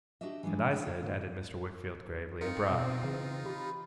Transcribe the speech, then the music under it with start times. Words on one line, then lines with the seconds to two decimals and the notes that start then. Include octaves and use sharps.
'And I said' added Mr. Wickfield gravely, 'abroad.
0.21 D4 F#4 G4 D#5 E5
0.43 E3 F3 G3 G#3 D4
0.71 F2 G#3 D4 E4 G#4
0.83 D4 F4 F5
1.01 A2 D3 D#3
2.41 C4 D#4 F4 A#4 C#7
2.70 B2
3.03 C#3 E3
3.46 G4 B5